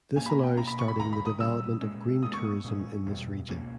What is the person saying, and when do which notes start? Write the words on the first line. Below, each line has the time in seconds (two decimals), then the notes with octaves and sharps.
This allowed starting the development of green tourism in this region.
0.16 A#2 A#3 C#4 G#5
0.26 B5
0.29 A#5
0.43 G5
0.57 B2 A#3 C#4 A#5
0.68 B5
0.79 C#6
0.88 B5
0.99 D#2 C#3 G#3 A#5
1.13 B5
1.26 D#6
1.40 B2 G3 C#4 E6
1.81 A#2 G#3 C#4
2.23 A#2 G#3 B3 D#6
2.34 C#6
2.44 D#6
2.64 A#2 G#3 C#4
3.06 E2 B2 G3
3.48 C#2 B2 A#3 C#4